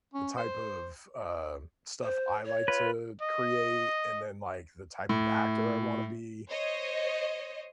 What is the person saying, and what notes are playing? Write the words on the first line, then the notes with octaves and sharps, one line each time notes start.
the type of, uh, stuff I like to create, and then like the type of actor I wanna be
C#4
C5
C5
C#5
F4 B4
D#5
A2
C5 C#5 D#5